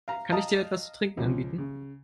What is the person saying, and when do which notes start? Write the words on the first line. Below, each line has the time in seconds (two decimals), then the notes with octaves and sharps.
Kann ich dir etwas zu trinken anbieten?
0.08 F5 A#5
0.32 D#5 F5 A5 A#5 D#6
1.17 C#2 F3
1.58 C#3